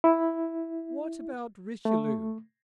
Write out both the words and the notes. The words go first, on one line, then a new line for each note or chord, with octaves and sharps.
"What about Richelieu?"
E4
A3